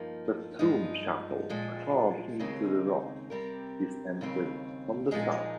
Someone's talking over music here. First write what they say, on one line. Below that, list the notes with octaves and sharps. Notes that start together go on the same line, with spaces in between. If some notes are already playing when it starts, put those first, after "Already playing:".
The tomb chapel carved into the rock is entered from the south.
Already playing: G2 F3 A#3 D#4
G2 F3 G#3 D#4
A#2 F3 G#3
D#2 C#3 G#3 C4 D#4
C3 G3 C4 G4 A#4
D#2 C#3 G3 C4
A#2 F3 G#3 D#4 G#4